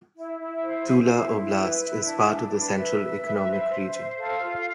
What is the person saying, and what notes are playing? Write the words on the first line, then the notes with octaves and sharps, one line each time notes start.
Tula Oblast is part of the Central economic region.
E4
E4
C5
C5
E4
E4
B4
E4
D4
D4
B4
B4 E5
B4
B4
C5
C5
C5
A4 F5
F4